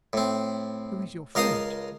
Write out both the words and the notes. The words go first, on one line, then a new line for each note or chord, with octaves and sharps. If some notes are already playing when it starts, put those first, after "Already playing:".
"Who is your friend?"
A2 C4
C#2 A#4 D#5 F5 A5 D#6